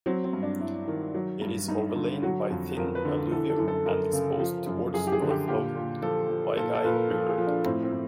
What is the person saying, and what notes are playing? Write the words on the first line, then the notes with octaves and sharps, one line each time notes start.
It is overlain by thin alluvium and exposed towards north of Vaigai River.
F#3 C4
C4
G2
D4
G2 E4
D#3
F#3
G2
G2 D#4
D3
F#3 F#4
F2
F2 A#4
B4
D3
E3 A4
A4
F#2
A4
F#2 A#4
C#3
F3
F#2
F#2 G#4
G4
G#4
D3
G4
A#2 G4
A#2
F3 A4
F3
A#2 A4
A4
A#2 B4
A#4
F3 A4
G#4
F3
D4
A2 C4
C4
A2